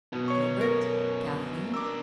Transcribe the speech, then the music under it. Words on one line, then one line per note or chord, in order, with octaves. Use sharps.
Gilbert! Kathleen!
F#2 B2 B3
C#5 C#6
A#4
D4 A#4 D6 E6